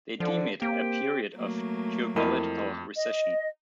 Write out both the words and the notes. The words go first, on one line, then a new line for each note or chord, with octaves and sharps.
They deem it "a period of geopolitical recession".
D3 F3
A#3 C4 G4 G5
F#3 A3 A#3
F2 E4 A#4 D#5
D#5